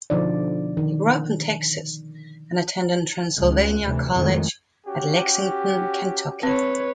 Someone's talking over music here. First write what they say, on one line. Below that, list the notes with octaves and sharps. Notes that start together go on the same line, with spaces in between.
He grew up in Texas and attended Transylvania College at Lexington, Kentucky.
B2 D3 F3 D4 D#4 D5
D#3
C#2
D2 C3 E3
F2 A2 D#3 G#3
C#4 F#4 G4
C4 B4 C#5